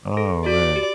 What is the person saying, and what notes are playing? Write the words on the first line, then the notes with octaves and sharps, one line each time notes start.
Oh, man.
A4
F#4 D5
G4